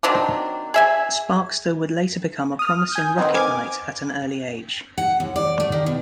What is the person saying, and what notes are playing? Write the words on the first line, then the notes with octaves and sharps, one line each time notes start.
Sparkster would later become a promising Rocket Knight at an early age.
D#3 F#3 C4 D4
G#4 E5 G#5
D#6 F6
G#5 D#6 G6
D#3 B3 C4 D#4
G#5 D6 F6 G#6
F#5
D#2
D5
A3
D#3
B2